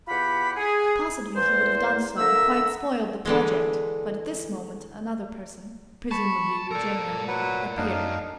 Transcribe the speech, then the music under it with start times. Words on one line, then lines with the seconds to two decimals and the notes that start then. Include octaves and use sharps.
Possibly he would have done so and quite spoiled the project, but at this moment another person, presumably Eugenio, appeared.
0.08 E2 F4 G4 F#5 B5
0.56 G#4
1.35 E2 C5
2.19 D3 A#3 E5 A#5 E6
3.25 D3 E3 G#3
6.11 A5 B5 C#6
6.71 A4 A#4 D5
7.28 F#3 B4 F#5
7.77 F#2 D4 D#4 F5